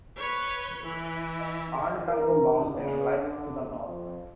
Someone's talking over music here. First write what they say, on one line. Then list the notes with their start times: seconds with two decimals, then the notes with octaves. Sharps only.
Mahantango Mountain lies to the north.
0.17 B4 C#5
0.83 E3
2.08 A#4
2.72 C#3
3.18 D3
3.86 F2